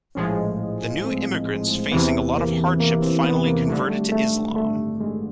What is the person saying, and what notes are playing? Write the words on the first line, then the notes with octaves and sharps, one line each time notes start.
The new immigrants facing a lot of hardship finally converted to Islam.
A#1 A2 F3 G#3 C#4
C4
E2 C3 E3 B3
A#3
A#3
C4
B3
A#3
G#1 G2 D3 A3
A3
A3
A3
G#3